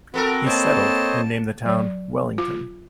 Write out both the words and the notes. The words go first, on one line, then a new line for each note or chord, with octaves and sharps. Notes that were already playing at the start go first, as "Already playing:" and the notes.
He settled and named the town Wellington.
B3 C4 F#4 A4 A#4
A#3 C5 C#5 D#5 A5
F#3
F4